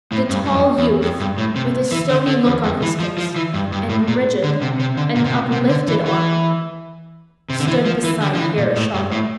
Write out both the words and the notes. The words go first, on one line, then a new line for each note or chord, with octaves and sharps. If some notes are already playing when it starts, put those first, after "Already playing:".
The tall youth, with a stony look on his face, and rigid and uplifted arm, stood beside Vereshchagin.
A2
G2
G2
F2
E2
F2
G2
A2
C3
E3
D3
D3
E2
F2
E3
F3
F3
E3
G2
G2
A2
A#2
D3
C3
C3
D3
A#2
C3
A#2
C3
D3
E3
E3
C3
D3
E3
F3
E3
D3
F3
E3
A#2
A2
G2
A2